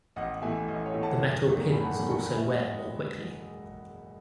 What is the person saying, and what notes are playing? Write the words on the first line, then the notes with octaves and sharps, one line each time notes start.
The metal pins also wear more quickly.
A1 D#5 F#5
A2 E3 A3 E5 G#5
A1 D#5
C#5
A2 E3 A3
F#5 A5
F#1
E2 D#3 A3
F#1 G#5 B5
F#5 A5
E2 D#3 A3 G#5 B5
A5 C#6
E1 G#5 B5
E5 G#5
B2 G#3 D#5 F#5